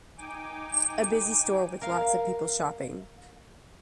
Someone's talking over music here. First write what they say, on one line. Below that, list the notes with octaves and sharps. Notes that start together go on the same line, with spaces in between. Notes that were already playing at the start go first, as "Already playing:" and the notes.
A busy store with lots of people shopping.
D#4 G5 G#5 D6
A#4 F5